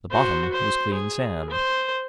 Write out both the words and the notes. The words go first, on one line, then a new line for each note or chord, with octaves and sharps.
The bottom was clean sand.
F#4 C5
C5
G#4
C5